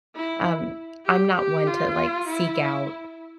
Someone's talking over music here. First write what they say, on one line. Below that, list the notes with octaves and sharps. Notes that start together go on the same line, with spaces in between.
um, I'm not one to, like, seek out
E4
G4
G4
F4
E4